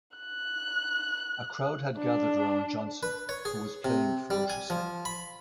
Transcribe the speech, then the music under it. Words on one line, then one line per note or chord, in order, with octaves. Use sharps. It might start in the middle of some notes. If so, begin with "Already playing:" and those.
A crowd had gathered around Johnson, who was playing ferociously.
F#6
D4
B4
C#5
G#4
C3
G3
G#5
F3
B5